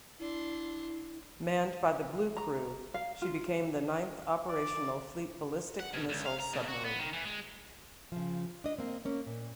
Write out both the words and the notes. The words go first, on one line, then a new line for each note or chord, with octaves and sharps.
Manned by the Blue crew, she became the ninth operational fleet ballistic missile submarine.
D4 E4 C6
A#5
F5
F4
D5
F#5
B2
C#2
F5
A#5
B2
F#4
B3
D#3
E3
G#3
C#3 F3
D4 D#5
A#3 C4
A#3 C#4
A#2